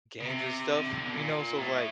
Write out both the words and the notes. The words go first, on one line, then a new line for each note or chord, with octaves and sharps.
games and stuff, you know, so, it was like,
C#3
C3
D3
C3
B2
A#2
A2